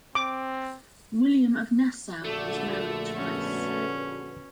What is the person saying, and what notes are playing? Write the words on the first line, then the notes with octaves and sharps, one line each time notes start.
William of Nassau was married twice.
C4 D6
A#1 D3 A3 F#4 A4 D5
B3 C#4 F#4 B4